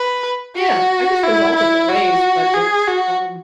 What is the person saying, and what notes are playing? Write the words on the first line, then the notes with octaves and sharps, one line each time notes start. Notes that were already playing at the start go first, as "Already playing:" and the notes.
yeah, I guess there's all different ways, but it's, um,
Already playing: B4
F#4
E4
E4
F#4
G#4
F#4